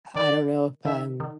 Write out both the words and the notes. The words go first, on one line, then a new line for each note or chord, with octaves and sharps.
I don't know if I'm
D#3 D5
D#3 E5
D#3